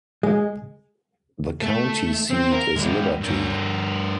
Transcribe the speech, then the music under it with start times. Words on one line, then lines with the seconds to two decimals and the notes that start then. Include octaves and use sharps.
The county seat is Liberty.
0.23 G#3
1.63 A3
2.30 C4
2.52 A#4
2.76 G#3 F#4
3.21 G2 A#4